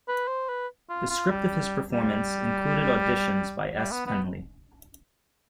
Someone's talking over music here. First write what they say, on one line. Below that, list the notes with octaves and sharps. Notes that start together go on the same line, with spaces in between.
The script of this performance included additions by S. Penley.
B4
C5
B4
F4
F4
G3
G3
G3
B3
B3